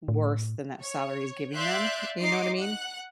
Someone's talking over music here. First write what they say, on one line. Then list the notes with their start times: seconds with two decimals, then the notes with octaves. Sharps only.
worth than that salary is giving them, you know what I mean.
0.08 A2
0.82 C#5
1.53 D5 E5 F5 C6 F#6 G6
2.19 D#4 D#5 C6 D6 C7
2.57 F#5 F#6